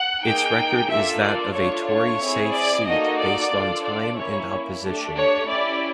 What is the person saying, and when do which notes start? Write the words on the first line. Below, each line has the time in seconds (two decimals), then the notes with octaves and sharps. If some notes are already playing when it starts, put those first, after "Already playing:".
Its record is that of a Tory safe seat based on time and opposition.
Already playing: F#5
0.24 A#3 D#4 G#4 G5
0.89 A#3 D4 F4 A4 E5
1.22 D5
1.55 A3 D4 F4 C#5
1.87 C#5
2.20 C4 E4 G#4
2.53 D5
2.86 A#3 D#4 F#4 A4 D#5
3.20 D5
3.51 D4 F4 A4
3.85 D5
4.17 A#3 C#4 E4 C#5
4.84 A3 D4 G4
5.15 C#5
5.48 C#4 E4 G4 D5